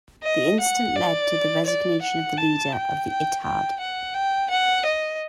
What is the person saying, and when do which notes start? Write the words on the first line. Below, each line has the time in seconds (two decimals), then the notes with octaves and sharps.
The incident led to the resignation of the leader of the "Ittehad".
0.23 D#5
0.60 F#5
0.95 D5
1.66 D5
2.02 F#5
2.37 A5
2.72 G5
3.08 G5
3.43 G5
3.80 F#5
4.14 G5
4.50 F#5
4.86 D#5